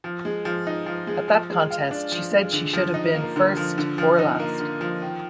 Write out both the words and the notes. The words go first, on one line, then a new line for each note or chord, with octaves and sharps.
At that contest, she said she should have been "first or last".
F3
G#3
F3
D#4
F3
G#3
F3
G#3
F4
D4
F3
G#3
D3
F3
D#4
A#3
D3
F3
D3
F3
D#4
A#3
D3
F3
D#3